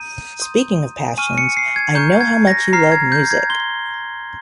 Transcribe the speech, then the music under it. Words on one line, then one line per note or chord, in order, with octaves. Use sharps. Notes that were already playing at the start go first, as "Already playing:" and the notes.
Speaking of passions, I know how much you love music.
Already playing: A#5 D#6 G6 D#7
C6 D#6 G6
G#5 C#6 F6 D#7
C#7
C7
G#6
A#5 C#6 F6 G6
G#6
A#6
A#5 F6 C7
G#6
G6
G#6
C6 G6 G7